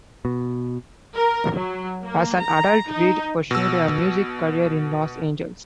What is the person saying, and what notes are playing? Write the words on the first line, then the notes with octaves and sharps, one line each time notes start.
As an adult, Reed pursued a music career in Los Angeles.
B2
A#4
F#3
A#3
A#5
D#4
B2 E6